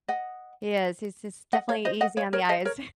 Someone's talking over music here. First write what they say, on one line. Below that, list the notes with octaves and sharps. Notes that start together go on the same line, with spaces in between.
He is, he's he's definitely easy on the eyes.
D#5 F#5
D#5 F#5
C#5 F5
C5 D#5
D#5 F#5
C#5 F5
A#4 C#5
C5 D#5
A#4 C#5